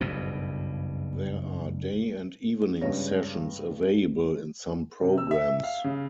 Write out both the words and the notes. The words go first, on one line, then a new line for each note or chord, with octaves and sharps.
There are day and evening sessions available in some programs.
F#1 B1 G2 B2
C#2 G2 C#3 C#5 A#6
C3
E6
E5
F5
C#3